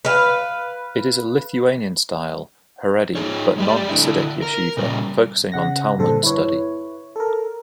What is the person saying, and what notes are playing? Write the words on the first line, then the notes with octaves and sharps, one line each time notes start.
It is a Lithuanian-style, Haredi but non-Hasidic yeshiva focusing on Talmud study.
B4 F5
D#4 F4 G#4 C#5
G#3 G4 D5
D3 D4 E4
A#4
A#2 C#3 G3
C#3 F#5 A#6
G2 A#2 D3 A4 C5
E4 B4 C#5
A4 A#4